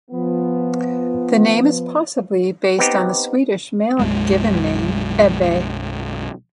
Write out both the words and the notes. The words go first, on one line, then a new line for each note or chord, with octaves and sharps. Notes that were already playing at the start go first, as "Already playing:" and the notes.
The name is possibly based on the Swedish male given name Ebbe.
F3 B3
B3 C4 D#4 G4
B1 F#2 G#3